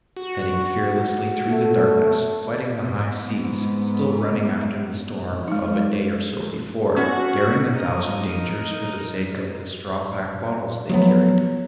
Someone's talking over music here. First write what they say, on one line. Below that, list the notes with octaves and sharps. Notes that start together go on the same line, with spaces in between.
Heading fearlessly through the darkness, fighting the high seas, still running after the storm of a day or so before, daring a thousand dangers for the sake of the straw-packed bottles they carried.
F#4
A3
G#2 B3
G#3 D#4
C#4 F#4
D#4 A#4
F3 F#3 A3 B3